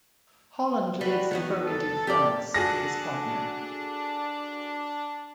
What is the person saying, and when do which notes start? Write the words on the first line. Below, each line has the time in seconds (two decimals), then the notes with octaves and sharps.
Holland lives in Burgundy, France with his partner.
1.01 G3 F#4 B4
1.31 D#3 F#3 B3
1.65 A4
2.07 G4 A#4 D5
2.54 D4 F#4 G#4 A4 A#6